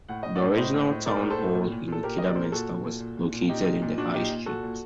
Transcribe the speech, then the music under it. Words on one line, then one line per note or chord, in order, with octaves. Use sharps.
The original town hall in Kidderminster was located in the High Street.
A2 F#5
A2 D#5
D5 F#5
A2
A2 C5 D#5
A2
A2
A2 A#4 D5
A2
A4 C5
A2
A#2
A#2
A#2 A4
A#2 G4 A#4
A#2 D#5
D5
A#2 C5
A#4
A#2 F#4 A4
A#2
A#2
A#2
A#2
A#2
A#2 D#4 G4
A#2
A#2
A#2 D4 F#4
A#2 D#4 G4
A#2
A#2 F#4 A4
A#2